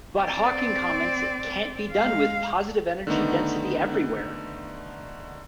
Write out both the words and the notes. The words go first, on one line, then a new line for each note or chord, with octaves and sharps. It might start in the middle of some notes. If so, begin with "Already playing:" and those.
But Hawking comments it can't be done with positive energy density everywhere!
C4 D5
G#3 F5
D3 D#3 A3 B3 D#4